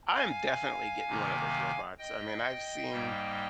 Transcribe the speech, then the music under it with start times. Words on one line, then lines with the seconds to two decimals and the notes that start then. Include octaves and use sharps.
I am definitely getting one of those robots, I mean, I've seen,
0.15 F5 G#5
1.07 C3 D#3 A#3
1.98 D#5 G5
2.90 G#2 G3 A#3